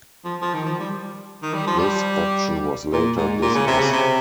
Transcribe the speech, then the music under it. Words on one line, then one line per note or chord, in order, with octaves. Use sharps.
This action was later dismissed.
F3
F3
D#3
F3
G3
D#3
G3
F3
G3
A#2
G#2
A#2
C#3
C3
C#3
C3